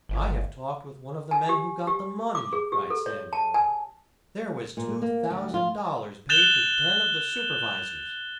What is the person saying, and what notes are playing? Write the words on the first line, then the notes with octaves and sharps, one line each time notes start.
"I have talked with one of the men who got the money!" cried Samuel. "There was two thousand dollars paid to ten of the supervisors."
G1
G#5
G4
G4
D6
G#4
G4
A4
C#5
A5
G#5
A#2
A#3
D2
F4
F#6 G6 A6 E7 F7 G7